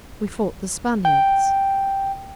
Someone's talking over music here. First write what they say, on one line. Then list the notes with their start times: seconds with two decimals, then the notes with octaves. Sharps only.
We fought the Spaniards.
1.05 G5